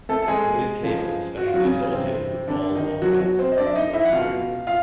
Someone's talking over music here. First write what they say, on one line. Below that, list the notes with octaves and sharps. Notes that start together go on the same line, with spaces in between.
The hooded cape was especially associated with Gauls or Celts during the Roman period.
A3 A4
A4
G#3 G#4
C#2 C#3 F3
F#4
F4
F#3 F#4
C#3 C#4
B3
G2 C3 E3 C4
D3 D4
D#3 D#4
C#2 B2 F#3 F#4
F#3 F#4
C4 C5
D#5
D4 D5
E5
D#4 D#5
E4 E5
F#5
C#2 B2 F4 F5
F4 F5